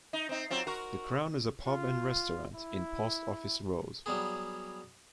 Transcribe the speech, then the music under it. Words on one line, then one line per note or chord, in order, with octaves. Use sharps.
The Crown is a pub and restaurant in Post Office Road.
D#4
C4 D#4
F#3 C4 F4
F#4 A#4
F4
E4
F#3 G3 B3 G#4